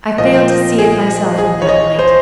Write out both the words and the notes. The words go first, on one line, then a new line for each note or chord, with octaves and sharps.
I failed to see it myself in that light.
A#2 F3 D#5
G#4
G#4
C#5
D#5
C5